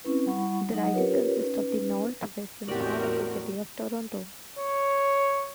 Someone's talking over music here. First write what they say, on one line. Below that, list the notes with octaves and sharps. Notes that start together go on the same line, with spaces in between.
The riding consists of the northwestern part of the City of Toronto.
C4 C#4 E4 B4
G3 E4 F#5 B5 C#6
F#3 D#4 D#5 F#5
C#4 F4 G4 A#4 B4 C#5
C#4 D#4 B4
E2 A2 C4 F#4 G4 A#4 D5
C#5